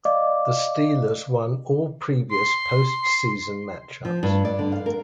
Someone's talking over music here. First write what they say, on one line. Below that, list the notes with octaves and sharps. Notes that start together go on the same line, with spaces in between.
The Steelers won all previous postseason matchups.
D5 D#5 F5 D6
C6
F3
G2
D5
D3
F5
A#4